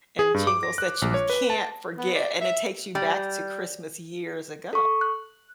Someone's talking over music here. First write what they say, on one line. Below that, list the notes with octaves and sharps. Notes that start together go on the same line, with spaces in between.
and jingles that you can't forget, and it takes you back to Christmas years ago,
G#4
G2
D6
A#6
F#6
A#1
C#5
B4
A5
B3
D5
E5
G3
A4 C#6
F#6